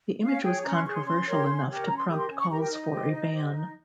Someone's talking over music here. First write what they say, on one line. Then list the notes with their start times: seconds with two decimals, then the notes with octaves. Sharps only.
The image was controversial enough to prompt calls for a ban.
0.23 C#4 F5
0.44 G#4 C#5 G5
0.64 C#4 A#5
0.74 C6
0.85 G#4 C#5 C#6
0.95 C6
1.05 C#4 C6
1.26 G4 A#4 C#5
1.47 C#4
1.67 G4 A#4 C#5
1.88 C#4 A#5
1.98 C6
2.09 G4 A#4 D#6
2.18 C6
2.29 C#4
2.39 C#6
2.49 G4 A#5
2.53 A#4
2.60 G5
2.70 D#4 D#5
2.91 G4 C5
3.12 D#4
3.32 G4 C5
3.52 D#4